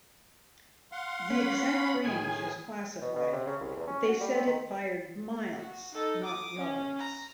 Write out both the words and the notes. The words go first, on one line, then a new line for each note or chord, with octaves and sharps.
The exact range is classified, but they said it fired "miles not yards".
F5 F#5 C6
C#4 B5
A2 D#3 G#4 G#5
B2
B2
C3
C#3
C2
E2
C#4
F#4
G3
C4
D#3
F#4
D#4 A4
D6 D#6
C#4
A#5